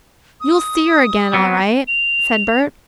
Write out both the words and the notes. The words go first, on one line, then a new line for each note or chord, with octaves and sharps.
"You'll see 'er again all right," said Bert.
D#6
F#3 B3 C4
F7